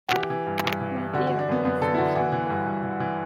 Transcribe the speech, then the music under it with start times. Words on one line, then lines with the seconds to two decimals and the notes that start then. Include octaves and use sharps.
My dear, I think so now.
0.08 F#4
0.12 E3 G4
0.30 E3
0.46 G2
0.64 G2
0.81 E3
0.97 E3
1.14 D3 F#4
1.27 D3 F#4
1.39 D4
1.49 F#2 B3
1.65 F#2 B3
1.81 D3 A4
1.94 E4
1.98 D3 F#4
2.15 E3 F#4
2.32 E3
2.50 G2
2.66 G2
2.83 E3
3.00 E3